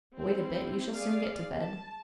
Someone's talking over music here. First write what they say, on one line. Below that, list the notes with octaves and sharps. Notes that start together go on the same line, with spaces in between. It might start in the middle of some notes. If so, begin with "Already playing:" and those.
Wait a bit, you shall soon get to bed....
G3 C4 E4
G#3 G#4 D5 F5
A5